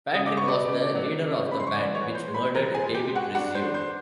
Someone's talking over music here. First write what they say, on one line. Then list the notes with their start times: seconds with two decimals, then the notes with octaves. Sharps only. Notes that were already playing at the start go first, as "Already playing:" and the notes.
Patrick was the leader of the band which murdered David Rizzio.
0.14 C#3 D#6
0.26 D6
0.37 B3 C#6
0.48 D5 D6
0.68 C#3
0.95 F#3
1.21 C#3
1.48 C#3 B5
1.60 C6
1.67 C#6
1.75 E3 D5 D6
1.95 C#5 C#6
2.02 E3
2.15 C5 C6
2.28 G#3
2.34 B4 B5
2.55 E3 A#4 A#5
2.75 G#4 G#5
2.81 G#3
2.94 G4 G5
3.09 G#3
3.15 F#4 F#5
3.35 D4 F#4 F#5
3.55 C5 C6
3.62 D4
3.74 C5 C6